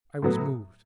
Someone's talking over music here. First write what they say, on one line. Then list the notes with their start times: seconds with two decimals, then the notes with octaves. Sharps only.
I was moved.
0.22 A2 F#3 B3